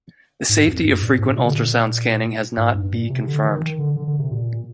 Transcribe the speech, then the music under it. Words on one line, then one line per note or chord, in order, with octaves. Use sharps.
The safety of frequent ultrasound scanning has not be confirmed.
G#2
F2
G2
A#2
G#2
A#2
C3
D3
A#2
G#2
G2
A#2
C3
D3
D#3
D#3
D3
D3
D3
C3
A#2